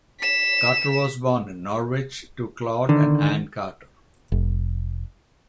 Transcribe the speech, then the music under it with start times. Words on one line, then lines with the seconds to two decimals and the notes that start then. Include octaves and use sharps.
Carter was born in Norwich to Claude and Anne Carter.
0.20 B6 E7
2.89 D3 D#3
4.32 F1